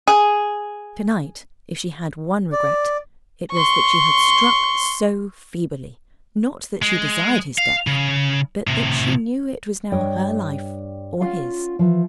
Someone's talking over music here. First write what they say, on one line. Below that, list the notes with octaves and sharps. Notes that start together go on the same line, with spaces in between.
To-night--if she had one regret it was that she had struck so feebly: not that she desired his death, but that she knew it was now her life or his.
G#4
D5
C6 C#6
G#3
F5
C#3
A2 C3
G2 C#5 D#5 G5
C#4 F4 F5 F#5
E3 F3